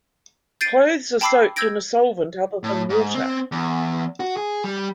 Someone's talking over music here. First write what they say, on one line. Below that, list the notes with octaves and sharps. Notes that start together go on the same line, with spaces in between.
Clothes are soaked in a solvent other than water.
G6 A6 C7 D7 D#7
G5 A5 B5 D6 E6 C7
E6 G6 G#6 A#6 D7
A2
G#2
C4
E2
F#4
G#4
G3